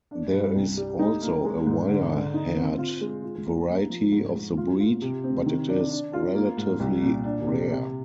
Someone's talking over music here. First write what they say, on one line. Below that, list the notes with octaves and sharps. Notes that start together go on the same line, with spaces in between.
There is also a wire-haired variety of the breed, but it is relatively rare.
D4
G2
C2
G3
D#4
A#3
G#3
G#2
D3
D3
D#4
C4
F4
G#3
F4
A#3
A#3
F3
G#2
G#2
F4
F4
C3
C4
D#3
D4
D4
F4
A#3
G#2
C2
A#2
D4
C3
C3